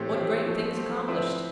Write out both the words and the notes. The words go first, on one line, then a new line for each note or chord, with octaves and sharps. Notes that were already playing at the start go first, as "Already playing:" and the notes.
What great things accomplished!
Already playing: A2 E3 A3 C4 G4
A2 E3 A3 C4 G4
F3 A3 C4
F3 A3 C4
F3 C4 E4 B4 E5